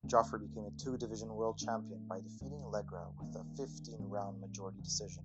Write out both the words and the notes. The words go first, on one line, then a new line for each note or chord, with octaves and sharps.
Jofre became a two-division world champion by defeating Legra with a fifteen-round majority decision.
D#2 D3 A3 C4
G1 G2 D#3
A2 A3 D4
D#2 D3 G3
G1 G2 D#3 A#3
A1 A2 G3 C4
G1 F2 D3 F3